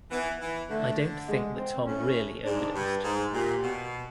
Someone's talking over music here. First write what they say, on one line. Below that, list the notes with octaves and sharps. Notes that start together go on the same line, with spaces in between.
I don't think that Tom really overdosed.
E3 B3
E3
D3 A3
G#3
C4
A2 C#4
G#2 D4
G2
G#2 G#4
A#2 G4
B2